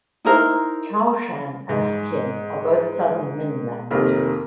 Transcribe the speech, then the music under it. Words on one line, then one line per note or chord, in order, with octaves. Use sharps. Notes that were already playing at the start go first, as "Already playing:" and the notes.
Chaoshan and Hokkien are both Southern Min languages.
D#4 E4 A#4 C5
G#2
F1 D#3 A#3 A#4